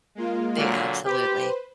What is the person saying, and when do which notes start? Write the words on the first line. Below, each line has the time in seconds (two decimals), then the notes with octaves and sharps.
They Absolutely
0.15 G#3 A#3 F4
0.58 A#2 D3 F#3
1.06 G4 B4 C5